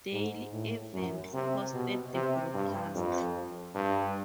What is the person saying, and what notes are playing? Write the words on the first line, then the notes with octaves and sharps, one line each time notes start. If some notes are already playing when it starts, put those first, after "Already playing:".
Dale Evans hosted the broadcast.
G#2
A2
F#2
C3
B2
C3
G2
F2
G2